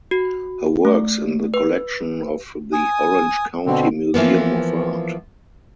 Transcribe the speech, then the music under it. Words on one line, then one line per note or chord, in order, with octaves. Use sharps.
Her work is in the collection of the Orange County Museum of Art.
F#4
A3
B4
G#5 D#6
B2 D3 C4
E3 F3 A#3 B3